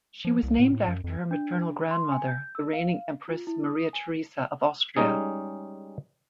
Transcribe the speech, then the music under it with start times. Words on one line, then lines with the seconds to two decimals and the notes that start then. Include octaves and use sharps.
She was named after her maternal grandmother, the reigning Empress Maria Theresa of Austria.
0.25 F3
0.43 C2
0.59 A2
0.72 A2
0.88 F#2
1.04 F2
1.31 D4
1.91 C6
2.12 G#5
2.28 G6
2.55 E6
2.73 F5
3.28 F4
3.47 E4
3.66 D#6
3.93 G#5
4.97 G3 G#3 C#4 D#4 G#4